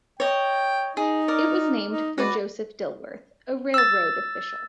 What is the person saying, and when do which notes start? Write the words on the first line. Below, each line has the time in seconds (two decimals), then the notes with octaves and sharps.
It was named for Joseph Dilworth, a railroad official.
0.20 C#5 D#5 G5
0.97 D#4 G#4
1.28 A#4 D5
1.89 D#4
2.18 G#3 F#4 B4 D5
3.74 E6 A6